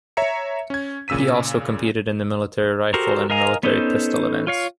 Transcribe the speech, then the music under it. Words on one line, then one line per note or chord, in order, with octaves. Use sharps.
He also competed in the military rifle and military pistol events.
C#5 E5 A#5 C#7
C#4 G#6
A#2 C#3 E6 B6 D#7
F#4 G4 A4 A#4 C5
A#4 D#5 F5 G#5 A#5
B3 C#4 D#4 A4 C5
F4 C#5 F5